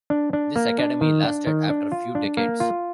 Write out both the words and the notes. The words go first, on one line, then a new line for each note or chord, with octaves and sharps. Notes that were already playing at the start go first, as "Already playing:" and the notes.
This academy lasted after few decades.
D4
D4
A#3
D4
D#3
D4
D#3
D4
F4
D4
A#3
F4